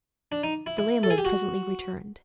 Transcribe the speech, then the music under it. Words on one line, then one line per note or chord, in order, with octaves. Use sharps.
The landlord presently returned.
D4
D#4
E4
E4
A4
G#4
G4
F#4